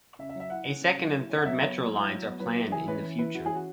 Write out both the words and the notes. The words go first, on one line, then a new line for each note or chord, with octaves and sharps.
A second and third metro lines are planned in the future.
C#3 E5
E5
F#3
E5
E4 F#5
C#4
C#3
F#3
E4
C#4
F#5
F#3 E5
B3 C#5
F#3
E4
F#3
B3
F#3 B4
E4
E3 G#4
C#4 B4
E3
E4 B4
E3 F#4
C#4 G#4
F#4